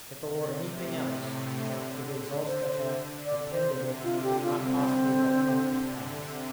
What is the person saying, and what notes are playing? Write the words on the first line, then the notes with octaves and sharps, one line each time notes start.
If it were anything else, the results that have attended it could not possibly have come to pass.
C3
A2
C3
D3
C5
C3 D5
C5
D3
F4
G4
G3 F4
C4
D3
C3
C3